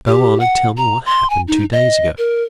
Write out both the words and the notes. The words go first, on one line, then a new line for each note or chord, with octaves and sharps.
But go on and tell me what happened two days ago.
G4
F#5
A#5
C6
G#5
D#4
D#5
A#4